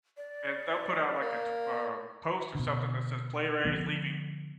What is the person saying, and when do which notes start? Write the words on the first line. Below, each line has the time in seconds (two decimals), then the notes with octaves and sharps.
and they'll put out, like, a, tw um, post or something that says "Player A is leaving”
0.17 D5
1.21 A#3
2.55 B2 D3
3.65 D3 F3 B3